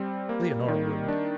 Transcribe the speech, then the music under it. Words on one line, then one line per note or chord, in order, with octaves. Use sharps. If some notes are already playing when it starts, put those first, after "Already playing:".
Leonora wouldn't.
Already playing: G3 C4
A#3
D#3
D4